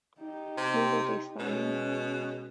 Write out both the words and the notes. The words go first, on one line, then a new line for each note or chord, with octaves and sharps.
Who were they spying?
D#4 G4
C3
B2 G#3 C#4